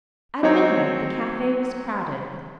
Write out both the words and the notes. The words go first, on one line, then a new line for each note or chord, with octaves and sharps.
At midnight the cafe was crowded.
F#3 C4 D#4 C#5